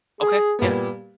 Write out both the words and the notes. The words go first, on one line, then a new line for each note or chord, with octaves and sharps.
Okay. Yeah.
G#4
A#2 G3 B3